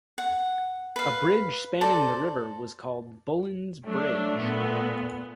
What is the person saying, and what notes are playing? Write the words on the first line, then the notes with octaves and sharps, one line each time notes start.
A bridge spanning the river was called "Bullen's Bridge.".
F#5
B4 F5
A4 C5 D5 A#5
F#3 A3 D4
A#2 B3